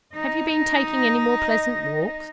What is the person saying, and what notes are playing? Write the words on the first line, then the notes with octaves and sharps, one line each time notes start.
'Have you been taking any more pleasant walks?'
D#4 D#5